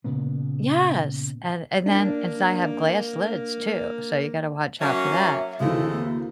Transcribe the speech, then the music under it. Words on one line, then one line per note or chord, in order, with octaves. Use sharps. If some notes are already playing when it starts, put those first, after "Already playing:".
Yes, and and then and so I have glass lids too, so you gotta watch out for that,
A#2 C#3 A#3 B3
A#3 D4
F#3 A#3 C#4 E5
D2 C3 E3 G#3 A3 F5
A#3